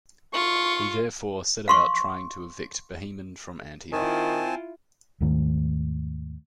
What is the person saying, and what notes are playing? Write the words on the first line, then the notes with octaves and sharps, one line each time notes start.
He therefore set about trying to evict Bohemond from Antioch.
F4 C#6
F5 C6 C#6
D#3 C4 E4 F4 G#5 A5
D#2 G#2 D#3 A3